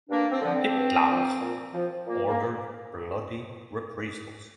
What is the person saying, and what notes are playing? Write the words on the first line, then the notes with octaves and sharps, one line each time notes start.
Hitler ordered bloody reprisals.
G2 A#3 D4
C4
D3 F3
C4
G2
D3 F3
A#2
F3
A#2 A#3
A#3